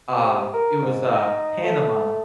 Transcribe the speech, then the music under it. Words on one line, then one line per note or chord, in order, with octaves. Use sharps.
um, it was, uh, Panama,
C3
A#4
G#2
D#4
A3